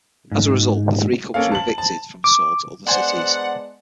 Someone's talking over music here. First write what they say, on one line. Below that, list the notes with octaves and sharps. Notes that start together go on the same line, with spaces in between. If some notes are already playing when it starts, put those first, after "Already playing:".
As a result, the three clubs were evicted from Seoul to other cities.
G#2
A#3 C#4 A4 F5
A5 F#7
A5
D6
G#3 B3 D4 C5 D5 F#5 G#5